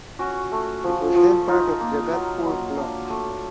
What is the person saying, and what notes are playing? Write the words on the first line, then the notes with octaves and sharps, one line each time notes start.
It was then part of Jagatpur block.
C#4 F#4
A3
F3
F3
D#4 F4
A#3
F#3
F#3
D4
A3